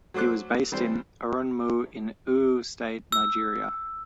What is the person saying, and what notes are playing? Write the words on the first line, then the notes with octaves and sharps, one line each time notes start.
He was based in Erunmu in Oyo State, Nigeria.
F#3 A3 C5 D6 F#6
E3 G3 C4 C5
E6